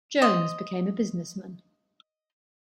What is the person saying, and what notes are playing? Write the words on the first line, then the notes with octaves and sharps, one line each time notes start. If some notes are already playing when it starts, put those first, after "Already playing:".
Jones became a businessman.
C5 D#5